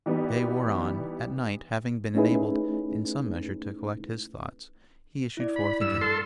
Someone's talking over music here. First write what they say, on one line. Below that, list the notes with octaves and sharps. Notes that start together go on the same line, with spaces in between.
The day wore on; at night, having been enabled in some measure to collect his thoughts, he issued forth again.
E3 G3 B3 D#4
A3 C#4 D#4 E4 G#4 B4
E4 D5
B5
G2 E6
A4 C6 F6